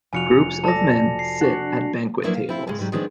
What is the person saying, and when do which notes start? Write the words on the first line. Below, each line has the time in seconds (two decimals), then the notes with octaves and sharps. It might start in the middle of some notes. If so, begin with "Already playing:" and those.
Groups of men sit at banquet tables.
0.13 F1 F4 F#4 G#5 C#7 F7
0.64 A4 D5 A5 A#6
1.19 C7
1.41 D4 F#4 F#5
2.23 F3 F#3 A#3 D4 E4 B4
2.35 F5
2.49 C4 E4 F4
2.67 A2 C#3 G#3
2.78 G#2 C3 F#3 G3
2.92 D#3 F3 G#3 B3 C4 D4